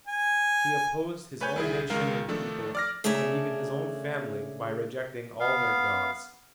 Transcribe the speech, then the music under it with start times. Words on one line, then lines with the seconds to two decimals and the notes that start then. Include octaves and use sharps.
He opposed His own nation and people, and even His own family, by rejecting all their gods.
0.07 G#5
1.40 A3 B4 C#5 G#5 G6
1.56 C2 E4 G#4
1.90 C#2 D#3 G#3 A#4 F5
2.28 D#3 F3 A3 D4 A4
2.75 D5 F6 A#6
3.04 C#3 A3 D4 G#4 E5 A#5
5.40 B3 F5